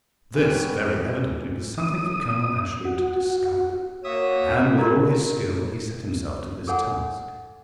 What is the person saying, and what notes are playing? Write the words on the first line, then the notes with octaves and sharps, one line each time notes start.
This, very evidently, was something for Colonel Ashley to discover, and with all his skill he set himself to this task.
C3 E3 G3 B3 C#4
D#6
F#4
A#3 F#4 C#5 E5 D#6
F4 G4 A#4 D5 D#5 A#5
G#4 A4 C#5 F#5 G#5